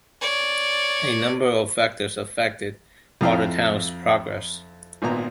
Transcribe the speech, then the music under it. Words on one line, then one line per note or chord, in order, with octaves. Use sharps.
A number of factors affected Watertown's progress.
C#5 D5
F2 E4 F5 G5 A#5
G#1 A#2 B3 A#5